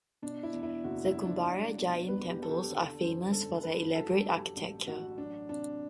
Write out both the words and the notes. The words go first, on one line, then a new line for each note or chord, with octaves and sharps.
The Kumbharia Jain temples are famous for their elaborate architecture.
B2 D4
E4
E2
E4
F#1 F#4
E4
F#3
D4
F#3
B2
E2 B4
G4
E2 A4
G4
D3 A4
F#2 C5
G1 A4
G1 B4
F#3 A4
G2 G4
A1
A1 F#4
F#3 D4
C3 D4